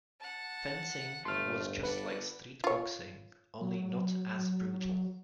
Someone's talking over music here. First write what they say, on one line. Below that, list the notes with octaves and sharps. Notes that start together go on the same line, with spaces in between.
Fencing was just like street boxing, only not as brutal.
F#5 A5
G1 A3 C6 F6
D4 B4 F#5
F4 C#5
F#3